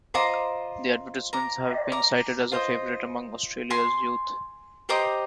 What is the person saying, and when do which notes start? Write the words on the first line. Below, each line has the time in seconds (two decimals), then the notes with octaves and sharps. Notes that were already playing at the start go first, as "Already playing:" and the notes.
The advertisements have been cited as a favourite among Australia's youth.
0.14 F4 C5 D#5 A#5 D6
1.33 A#5 D6
1.92 A#5 D6
2.52 F4 C5 D#5
3.70 G#5 C6
4.89 G4 C5 D#5 A#5 D6